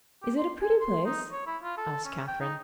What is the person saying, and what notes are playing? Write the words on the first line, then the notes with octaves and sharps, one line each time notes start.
"Is it a pretty place?" asked Catherine.
G4
C6
G#5
C6
D#4
C#5
E4
F4
A4
C#4
G5
D#4